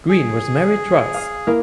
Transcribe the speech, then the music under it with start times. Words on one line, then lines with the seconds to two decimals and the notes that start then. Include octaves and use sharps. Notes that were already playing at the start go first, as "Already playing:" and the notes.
Green was married twice.
0.09 G#4
1.14 F5 D#6
1.47 A#3 E4 A#4